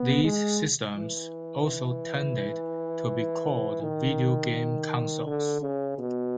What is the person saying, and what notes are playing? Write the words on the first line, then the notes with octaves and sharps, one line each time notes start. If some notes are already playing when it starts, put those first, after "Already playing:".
These systems also tended to be called video-game consoles.
Already playing: B3
G#3
E3
D#3
D3
C#3
B2